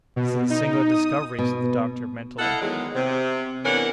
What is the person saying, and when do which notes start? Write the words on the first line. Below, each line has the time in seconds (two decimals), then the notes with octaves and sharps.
"This is a singular discovery!" said the doctor, mentally.
0.16 B2
0.50 D#4
0.91 D#6
1.38 B2
2.39 E4 A4 D#5 F5 F#5
2.61 E2 D#3 F#3 G#3
2.94 C3
3.64 E2 E3 C#4 D4 A#4 F#5